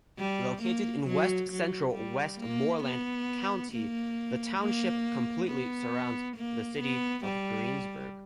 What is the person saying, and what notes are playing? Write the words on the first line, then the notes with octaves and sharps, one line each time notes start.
Located in west-central Westmoreland County, the township completely surrounds the city of Greensburg.
G3
A#3
F#3
F#3
G3
A#3
B3
A#3
A#3
B3
A#3
B3
G3